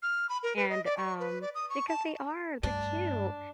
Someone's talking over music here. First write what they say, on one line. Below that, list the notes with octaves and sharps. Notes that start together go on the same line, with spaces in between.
and um Because they are, they're cute,
F6
B5
A#4
B4
D#5
D5
C#6
B4
D5
D#6
C#6
A5
G2 A3 D4